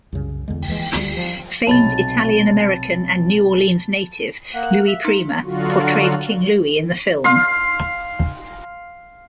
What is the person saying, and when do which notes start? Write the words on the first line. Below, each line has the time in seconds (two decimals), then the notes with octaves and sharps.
Famed Italian-American and New Orleans native Louis Prima portrayed King Louie in the film.
0.12 C2 F#2 C#3
0.48 E2 D3 G#3
0.68 D#2 E3 G#3
0.94 D2 G3
1.17 F3
1.67 B1 C3 C#5 A5 B5 A6
4.54 A#3 F#5
4.87 E5
5.05 D#4 A#4
5.44 D3 F#3 F4 F#4
7.24 F5 C6